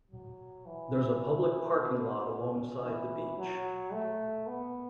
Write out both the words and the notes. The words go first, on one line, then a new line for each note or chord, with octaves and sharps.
There's a public parking lot alongside the beach.
F#3
E3
B2
C#3
E3
F#3
A3
B3